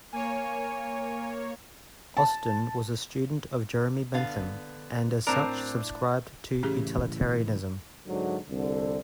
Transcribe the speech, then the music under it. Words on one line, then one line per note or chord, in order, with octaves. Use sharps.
Austin was a student of Jeremy Bentham, and as such subscribed to Utilitarianism.
A#3 C#5 G#5
A5
D3 B3 F5
A2 C4 D4 A#4 A#5
A2 C#3 E3 C#4 G4 G#4
G#2 D3 F#3
C2 D3